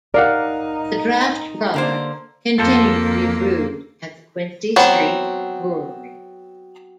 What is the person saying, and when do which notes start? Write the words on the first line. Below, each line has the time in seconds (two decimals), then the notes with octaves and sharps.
The draught product continued to be brewed at the Quincy Street brewery.
0.14 D#4 A#4 D5 F5 F#5
1.74 D3 A#3 C5
2.58 F2 A#3 F4 A4 C5
4.76 F#3 B3 C4